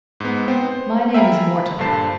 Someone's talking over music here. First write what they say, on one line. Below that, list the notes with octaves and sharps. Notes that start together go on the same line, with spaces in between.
"My name is Morton."
G#2 B3
B3 C4 C5 G5
C5
E5 F5 G5 G#5 A#5 B5
B5
G2 A#2 D3 C5 A5 C7